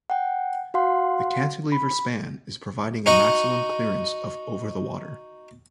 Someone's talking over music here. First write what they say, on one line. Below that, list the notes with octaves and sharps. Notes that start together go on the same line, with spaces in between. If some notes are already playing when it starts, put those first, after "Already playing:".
The cantilever span is providing a maximum clearance of over the water.
F#5 G5
F#4 F5 F#5 C6
B5
D#4 F#4 D#5